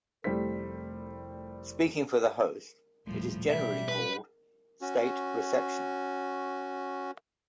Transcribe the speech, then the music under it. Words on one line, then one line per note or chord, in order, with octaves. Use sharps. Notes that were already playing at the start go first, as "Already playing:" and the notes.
Speaking for the host, it is generally called a "state reception".
F1 G3 A3 E4 C5 B6
D#1 A2 F3 G3 A3
B2 E3 G3 E5
B4
C#4 F#4